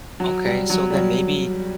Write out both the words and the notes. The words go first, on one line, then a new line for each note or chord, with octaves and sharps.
Okay so, then maybe
F#3
G3
F#3
G3
F#3